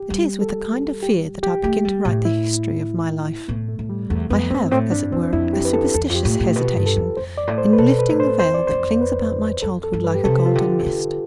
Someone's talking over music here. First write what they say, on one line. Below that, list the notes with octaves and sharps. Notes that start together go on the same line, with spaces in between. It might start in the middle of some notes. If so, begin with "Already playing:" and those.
It is with a kind of fear that I begin to write the history of my life. I have, as it were, a superstitious hesitation in lifting the veil that clings about my childhood like a golden mist.
Already playing: G4
G3
A4
G4
G4
A3 G4
G3
A2
E4
A2 B3
A3
A2
G3
E2 A3
F2 B3
G2 C4
A2 C4
G2 D4
F2 C4
F2 E4
G4
B4
A4
E2 A4
F2 F4
G4
A2
G4
A2
B2 B4
G2
A4
F2
F2 C5
D5
A2
C5
B4
B2 A4
B4
A2
C5
F2 C5
D5
F2 C5
B4
F2 A4
A4
G2
B4
G4
C3 A4
F4
D3 G4
C3
D3